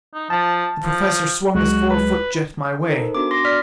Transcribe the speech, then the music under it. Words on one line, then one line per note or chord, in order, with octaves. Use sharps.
The Professor swung his four-foot jet my way.
D#4
F3 A5
F3
C#2 F#3 G#3 F#4
B4
D#4 A4 A#4 C5
B3 D4 F#4 D6
C6 D6 A#6
D5 F6 B6